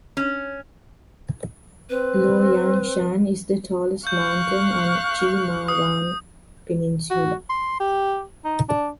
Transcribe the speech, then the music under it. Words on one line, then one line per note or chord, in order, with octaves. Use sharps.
Lo Yan Shan is the tallest mountain on Chi Ma Wan peninsula.
C#4
C4 B4
F5 C#6 F#6 G6
D#6
F#4
C6
G4
D#4
D4